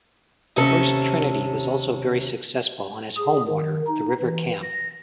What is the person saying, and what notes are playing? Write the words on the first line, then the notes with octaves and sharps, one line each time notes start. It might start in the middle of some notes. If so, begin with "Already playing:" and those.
First Trinity was also very successful on its home water, the River Cam.
D#2 C3 C#4 A4
G#4
D#3
D#4
E3
A#6